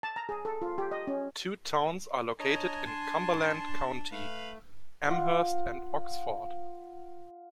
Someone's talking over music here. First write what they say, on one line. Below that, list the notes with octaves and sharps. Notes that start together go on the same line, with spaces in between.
Two towns are located in Cumberland County: Amherst and Oxford.
A5
A#5
G#4
A4
F4
G4
D#5
C#4
D4 C#5 D#5 G#5 A#5
A5 C6
A3 B4 F5
F4 F#5